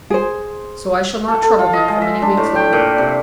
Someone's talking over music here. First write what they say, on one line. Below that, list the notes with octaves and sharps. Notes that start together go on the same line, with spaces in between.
So I shall not trouble him for many weeks longer.
G#4 C5
A4
A4
F4
D#5
G#3
E5
D4
A2
G5
A#2
C3